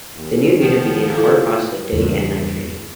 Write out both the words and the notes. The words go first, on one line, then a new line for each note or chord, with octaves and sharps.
The new unit began a hard process of day and night training.
D#2
D#3 F3 B3
E4 F4 A4
E2 G2 C#3